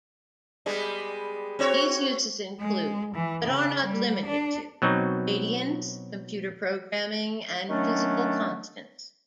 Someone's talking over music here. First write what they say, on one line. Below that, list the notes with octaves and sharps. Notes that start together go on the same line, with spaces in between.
These uses include but are not limited to radians, computer programming, and physical constants.
G3 G#3 B3
C4 F#4 C#5
G#3
E3
C#3
G3
D4
B2 F#3 C4 D#4
D#3 F#3 A3 B3 C#4 D4